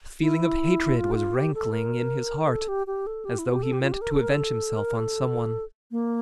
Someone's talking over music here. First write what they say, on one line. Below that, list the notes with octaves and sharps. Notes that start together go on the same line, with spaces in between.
A feeling of hatred was rankling in his heart, as though he meant to avenge himself on some one.
E4
F4
G4
F4
G4
A4
A#4
A#4
A4
G4
G4
A4
G4
E4
F4
G4
A4
G4
F4
G4
A#4
A4
A#4
A4
A#4
A4
A#3